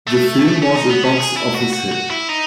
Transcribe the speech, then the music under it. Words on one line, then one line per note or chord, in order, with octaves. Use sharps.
The film was a box office hit.
A3
C#4
D#4
B3
C#4
G#4
E4
F#4
F#4
F#4
E4
D#4